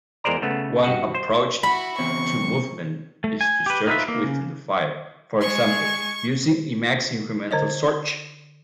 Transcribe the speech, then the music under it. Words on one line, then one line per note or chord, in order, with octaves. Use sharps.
One approach to movement is to search within the file, for example using Emacs incremental search.
E2 G#3 A#4 C5 D5 A#5
C#3 A3 B3
G2 F#4 D#5 F#5
C5
E4 F#4 B5
E2 C#3 C4 C#6
A3
G#5
G4 B4
D#4 F4 B4 E5
A#3
C#3
G#3 G#5 C#6
D3 C5 C#5 D#5